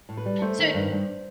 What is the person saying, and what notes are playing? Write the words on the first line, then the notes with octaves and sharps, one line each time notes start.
So, d
A2
B4
G3
A3 C5
D#3
G2
G2